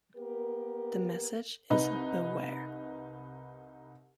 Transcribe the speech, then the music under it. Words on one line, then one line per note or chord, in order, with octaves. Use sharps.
The message is Beware.
A#3 B3 G4 A#4
C2 D#4 B4